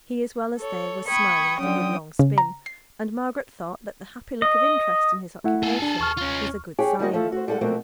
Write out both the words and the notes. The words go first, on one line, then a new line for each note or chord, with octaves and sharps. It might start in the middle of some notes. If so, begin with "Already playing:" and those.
He, as well as they, was smiling at a good long spin; and Margaret thought, that the happy look of interest in his occupation was a good sign.
A4 C#5
G5 B5 C#6 D#6 G#6
D3 F#3 C#4 G5 D#6
C#3
A#5
C7
D#5
A3 E4 F#5
G#4 A4
D4
D#2 C#6 F6
C#4 F4
D4 G4 G#4 C#5 G5 G#5
D#3 G3 G#3 A#3 F#4 D#5
F3 A3 A4
F#4 C5
G3 G#3 A4 B4 F#5
B2 F3 F#3 A3 A#3 C4